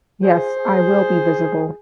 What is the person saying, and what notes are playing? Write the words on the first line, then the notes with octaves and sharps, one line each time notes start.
Yes, I will be visible.
G#4 C5
G#4